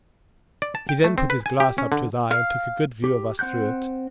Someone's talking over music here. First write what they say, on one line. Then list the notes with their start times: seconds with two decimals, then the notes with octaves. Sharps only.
He then put his glass up to his eye and took a good view of us through it.
0.62 D5
0.75 A5
0.89 G5
1.04 A3
1.18 C4
1.30 B4
1.46 G#5
1.60 G4
1.78 C#4
1.92 D3
2.31 F5
3.04 G4
3.39 C4 F#5 F#6 G6